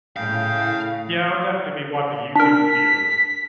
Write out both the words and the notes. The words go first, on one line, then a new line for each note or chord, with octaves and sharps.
Yeah, I would definitely be watching YouTube videos.
A2 C#3 F5 G5
D4 A#4 B6